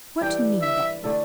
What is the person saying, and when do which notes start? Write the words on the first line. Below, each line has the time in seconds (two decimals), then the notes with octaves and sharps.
What need they?
0.21 E3 G3 D4 G5
0.62 E5
1.03 D3 A3 E4 A4